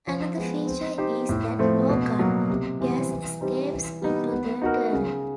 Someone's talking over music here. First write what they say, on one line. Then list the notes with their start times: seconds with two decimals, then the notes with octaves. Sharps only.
Another feature is that no gun gas escapes into the turret.
0.07 F3
0.37 G#3 B3
0.67 C4
0.98 D#4 G4 C5
1.29 A2
1.59 F3 A3 C4
1.89 B2
2.19 F#3 A#3
2.50 C3
2.80 E3 G3 C4
3.11 E3
3.41 G3 C4 D#4
3.71 E3
4.02 G3 B3 D#4
4.31 B3
4.62 D#4 F#4 A#4
4.93 C#3